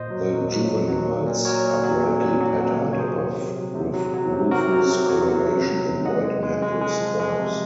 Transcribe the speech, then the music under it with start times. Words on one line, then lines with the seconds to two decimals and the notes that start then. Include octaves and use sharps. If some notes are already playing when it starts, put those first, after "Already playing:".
The juveniles are brightly patterned above with rufous colouration and white mantle stripes.
Already playing: A#2 C5 D#5
0.10 F#3
0.31 F#3
0.49 F#3
0.69 F#3
0.88 F#3
1.07 A#2
1.26 A#2
1.45 F#3 A#4 C#5
1.64 A#2
1.84 F#3
2.02 A#2
2.21 F#3
2.40 F#3
2.60 F#3
2.79 F#3
2.93 C#5
2.98 C3 G#4 C5
3.17 F#3
3.37 C3
3.57 F#3
3.75 C3
3.94 F#3
4.14 F#3
4.33 C3
4.51 C3 F#4 A#4
4.71 F#3
4.91 C3
5.09 F#3
5.29 F#3
5.47 C3
5.67 F#3
5.86 C3
6.05 G#3 D#5 F#5
6.24 G#3
6.43 G#3
6.63 G#3
6.81 G#3
7.01 F3
7.20 G#3
7.39 C3